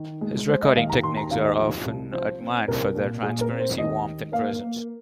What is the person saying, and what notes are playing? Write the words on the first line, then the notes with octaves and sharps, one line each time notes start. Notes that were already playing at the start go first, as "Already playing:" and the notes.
His recording techniques are often admired for their transparency, warmth and presence.
Already playing: D#3
G#3
G#3 C5
D#5
D#2 F5
A#5
D#2 C6
A#5
D#2 F5
D#5
F3
C2
F3 C5
C4
C2 A#4
A#2
A#2 G#4
A#4
C4
C5
D#2 D#5
D#3
A#3 F5
A#3